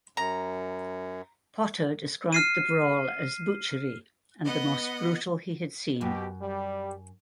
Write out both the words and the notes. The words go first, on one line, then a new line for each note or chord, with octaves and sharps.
Potter described the brawl as "butchery" and the most brutal he had seen.
F#2 A#5
F6 C7 D#7
B3 D#5 F#5
F#2 B2 G4
G3